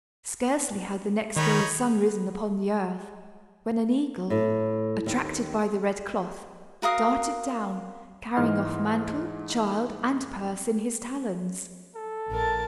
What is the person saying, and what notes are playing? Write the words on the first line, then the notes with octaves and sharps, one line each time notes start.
Scarcely had the next day's sun risen upon the earth, when an eagle, attracted by the red cloth, darted down, carrying off mantle, child, and purse in his talons.
D#3 D#4 C#5 B5
A2
D#2
F#4 A#4 F5 D#6
G#2 E3 D#5 C6 F6
A4
A#1 A#4 A5